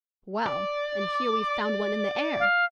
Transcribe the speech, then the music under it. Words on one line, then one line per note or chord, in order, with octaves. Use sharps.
"Well; and here we've found one in the air!"
D5
F5